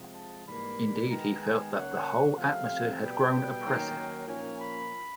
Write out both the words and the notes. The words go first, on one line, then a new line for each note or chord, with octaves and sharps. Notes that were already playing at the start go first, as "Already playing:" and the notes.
Indeed he felt that the whole atmosphere had grown oppressive.
Already playing: C3 F3 G#3
A5
G#2 E3 G3 A#3 B5
D#3 G#3 B3 A#5
G#5
C#3 F#3 A#3 C#4 F#5
C3 F3 A3 C4 F5
B2 G3 B3 G5
D#3 F#3 A#3 C#4
A#2 F3 A#3 C#4 G#5
B5